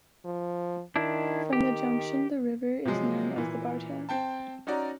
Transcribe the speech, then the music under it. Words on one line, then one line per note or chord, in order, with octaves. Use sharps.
From the junction the river is known as the Bartang.
F3
D#3 D4 E4
D#3 G4
C3 F3 F#3 G#3
A#2 E3
C4 G5 A5
C#4 D#4 F#4 D5 A#5